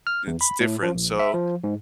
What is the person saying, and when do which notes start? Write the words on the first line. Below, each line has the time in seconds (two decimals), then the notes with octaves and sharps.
It's different, so
0.07 F6
0.27 E2
0.41 B5
0.60 A2
0.83 F3
0.95 A#1
1.19 E5
1.34 F3
1.64 G#2